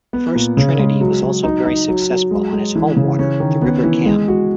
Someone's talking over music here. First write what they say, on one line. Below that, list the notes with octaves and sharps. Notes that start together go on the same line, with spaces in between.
First Trinity was also very successful on its home water, the River Cam.
B3
A#2
C#3
G#3
F#3
F#3
D#4
D#4
F#3
F#3
G#3
G#3
E3
C#3
C#4
D#3
B3
E3
G#3
F#4